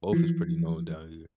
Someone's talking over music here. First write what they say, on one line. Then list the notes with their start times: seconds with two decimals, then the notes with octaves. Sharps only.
both is pretty known down here.
0.13 E3 F3